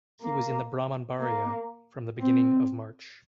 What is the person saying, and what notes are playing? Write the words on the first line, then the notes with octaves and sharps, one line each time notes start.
He was in Brahmanbaria from the beginning of March.
A#3
A#3
C4